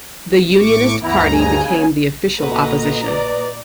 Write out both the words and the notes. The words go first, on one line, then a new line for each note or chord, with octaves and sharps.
The Unionist Party became the official opposition.
A2 C#6 D6
D2 G2 E3 B3 E4 A#5
D#2 C#3 G#5
A#2 F#4 A4 B4 D#5 A#5
B4 D5